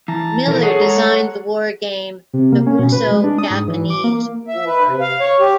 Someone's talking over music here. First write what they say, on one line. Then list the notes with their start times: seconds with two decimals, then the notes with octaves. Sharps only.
Miller designed the wargame "The Russo-Japanese War".
0.08 E3 A5 A#5
0.47 B1 E3 A4 A#4
0.63 G#4 A4 C#5 F#5
0.80 G#3 A#5
2.33 C3
2.52 A#3
2.67 C#4
2.79 B2
2.92 B4
3.11 G#3
3.24 D4
3.38 D#6
3.50 G#2
3.68 E3
3.90 D6
4.04 A#3
4.48 E5
4.67 B4
4.87 C3
5.01 F5
5.20 C#5
5.40 G4